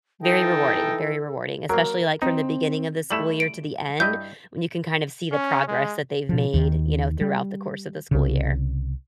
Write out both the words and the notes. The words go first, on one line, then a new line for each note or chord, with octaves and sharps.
Very rewarding, very rewarding, especially, like, from the beginning of the school year to the end when you can kind of see the progress that they've made, you know, throughout the course of the school year.
E3 D#4 A4 G5 A5
F#3 A#3 A#4
C4 D#4
G3 A3 E4 E7 F#7
D7
G2 E4 D#5 G6
C#4
G#3
B2 F3
D#2 D#3
G3
C2 C#3